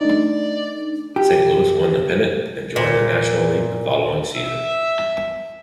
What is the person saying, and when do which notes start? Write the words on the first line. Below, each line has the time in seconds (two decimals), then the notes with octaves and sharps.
Saint Louis won the pennant and joined the National League the following season.
0.01 A3 D4 D#4 D5
1.16 G4
2.76 A#2
4.34 E5